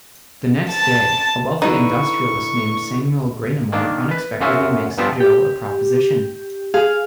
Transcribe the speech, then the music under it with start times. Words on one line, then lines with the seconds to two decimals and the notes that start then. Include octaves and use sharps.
The next day, a wealthy industrialist named Samuel Graynamore unexpectedly makes Joe a proposition.
0.71 A5
1.62 D3 D#4 E4 B4 A#5 C#6
3.72 D#3 A#3 D4
4.11 B4
4.41 F#2 F4 F#4 G#4 E5
4.98 G2 F3 B3 C4 B4 A5
5.20 G4
6.74 G#4 F5